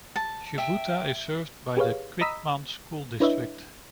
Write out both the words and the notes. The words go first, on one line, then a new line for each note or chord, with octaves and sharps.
Shubuta is served by the Quitman School District.
A5
E5 G5
G4 G#4 B4 C#5 F5
D#5 A#5 B5 D#6 E6 B6
D4 E4 B4 C#5 D#5 E5